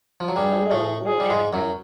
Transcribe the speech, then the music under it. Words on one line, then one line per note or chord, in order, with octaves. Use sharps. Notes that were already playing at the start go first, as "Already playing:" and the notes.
a little little anecdote;
F3
F#3
G2 G3 G#4
A2 A3
G#4
G3
G#2 G#3
F#2 F#3